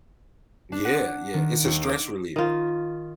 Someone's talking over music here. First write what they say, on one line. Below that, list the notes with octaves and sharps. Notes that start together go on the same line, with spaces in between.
Yeah, yeah. It's a stress reliever.
D4
F#5
D#3
D#2
D6
D#3 F4